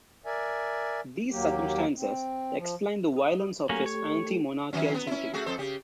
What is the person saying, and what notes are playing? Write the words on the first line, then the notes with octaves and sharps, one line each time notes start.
These circumstances explain the violence of his anti-monarchical sentiment.
A#4 D5 E5 G#5
D#2 F#3 A#3 G4
C4
F3
D#6
F#3 A3 A#3 C#4 G4 A4
C#5
D#3 F#3 C#4
B3
C#4 E4
A3 F#4 G#4
F2 A4 C5
C#3 G4